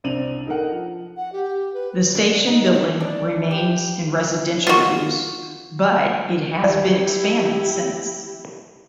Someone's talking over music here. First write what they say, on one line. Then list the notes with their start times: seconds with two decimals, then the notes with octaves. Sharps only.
The station building remains in residential use but it has been expanded since.
0.04 C2 C4 D4 D#7 F7 F#7
0.47 D#4 A4 A#4 F#5
0.70 F3
1.17 F#5
1.32 G4
1.74 B4
2.15 D3
2.47 D#4
2.75 D#3
3.00 D4
3.51 G4
4.67 F4 F#4
6.64 G3 E4 G4